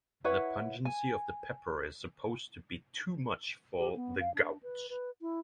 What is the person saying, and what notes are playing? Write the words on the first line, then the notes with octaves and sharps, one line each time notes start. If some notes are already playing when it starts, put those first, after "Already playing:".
The pungency of the pepper is supposed to be too much for the gout.
E4 B4 C#5 F#5
G#5
G4
B3
F5
D4
B4
B4
E4